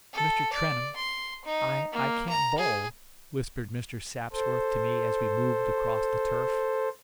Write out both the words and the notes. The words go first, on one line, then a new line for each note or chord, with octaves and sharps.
"Mr. Trentham, I--I can't bowl," whispered Mr. Sapsworth to me as we moved across the turf.
A4
D5
C6
D#4
A#3
A#5
G#4
A4 C5